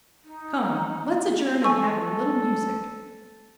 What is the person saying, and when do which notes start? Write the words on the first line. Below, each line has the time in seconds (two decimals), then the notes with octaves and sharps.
"Come, let's adjourn and have a little music."
0.24 D#4
1.63 A4 G#5 C#6 E6